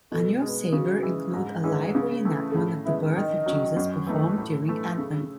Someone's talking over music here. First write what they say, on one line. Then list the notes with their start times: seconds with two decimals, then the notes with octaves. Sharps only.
Annual sagre include a live re-enactment of the birth of Jesus performed during Advent.
0.12 B2 A4
0.42 G#3
0.47 B3
0.73 C#3 F#4
1.03 E3 G#3
1.34 G#2
1.64 E3 G#3 C#4
1.95 C#3
2.25 E3 A3
2.51 A4
2.55 A2 G#4
2.85 G#3 B3 E4 E5
3.16 D#3 D#5
3.46 F#3 C#4
3.76 F#2
4.07 E3 A3 D#4
4.38 A2
4.68 E3 A3
4.98 C#3